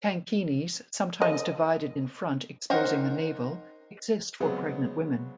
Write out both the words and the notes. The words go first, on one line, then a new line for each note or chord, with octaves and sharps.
Tankinis, sometimes divided in front exposing the navel, exist for pregnant women.
D#5
D#4 A#4 C5 F#5
C#3 F#3 G#3 B3 C4